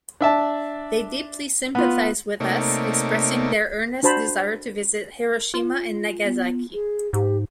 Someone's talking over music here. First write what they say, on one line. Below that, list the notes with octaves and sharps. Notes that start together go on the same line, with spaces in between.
They deeply sympathized with us, expressing their earnest desire to visit Hiroshima and Nagasaki.
D4 E5 A5
B3 F4
C3 A3 A#3 D#4 C#5 D5
D4 F#4 C5 A5 B5
F4
B3
G#4
G#2 G4